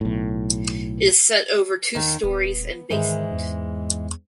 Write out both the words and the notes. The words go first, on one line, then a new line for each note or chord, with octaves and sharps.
It is set over two storeys and basement.
B1 A2
D#2 D#3
D#1 B3
G#2 D#3 E3 G#3
E2